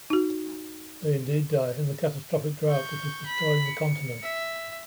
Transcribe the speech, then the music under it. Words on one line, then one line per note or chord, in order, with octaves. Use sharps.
They indeed die in the catastrophic drought that is destroying the continent.
D#4 F#4
C#6 G6
B5
C#7
E5